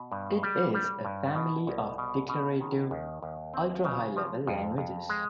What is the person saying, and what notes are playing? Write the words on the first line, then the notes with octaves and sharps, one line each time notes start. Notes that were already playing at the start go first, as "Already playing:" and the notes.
It is a family of declarative "ultra high-level" languages.
Already playing: B2
G2
G3
G3
G2
B2
C2
B2
B2
D#3
D#2
D#2
C4
C#3
F3
F2
F2
G#3